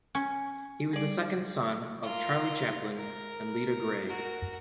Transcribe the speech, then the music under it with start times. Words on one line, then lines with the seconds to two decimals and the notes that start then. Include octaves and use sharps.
He was the second son of Charlie Chaplin and Lita Grey.
0.15 C#4
0.93 G3 G#4 D5
2.03 F4 A#4
2.96 A#4
4.06 F#4 A#4